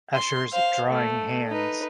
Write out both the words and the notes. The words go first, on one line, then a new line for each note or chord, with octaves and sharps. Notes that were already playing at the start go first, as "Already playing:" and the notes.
Escher's "Drawing Hands".
C6
C5 F5
A3
D#4 B4